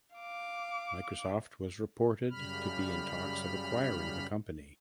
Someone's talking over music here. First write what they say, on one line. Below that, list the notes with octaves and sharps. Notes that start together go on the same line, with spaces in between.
Microsoft was reported to be in talks of acquiring the company.
F5 D6
F#2 C#3 G3 B5 F6